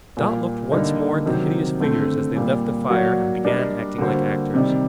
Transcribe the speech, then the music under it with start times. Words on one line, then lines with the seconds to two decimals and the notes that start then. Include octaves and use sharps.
Dot looked once more at the hideous figures as they left the fire and began acting like actors.
0.17 A#2 G3 A#3
0.72 D3 G3 A#3 D#4
1.26 C3 D#3 F#3 C4
1.80 D3 A3 C4
2.35 A#2 G3 A#3
2.90 F#3 A#3 F#4 A#4 D5
3.44 G3 D4 G4 A#4 D#5
3.98 D3 G3 A#3 F#4 C5
4.54 C3 D#3 G3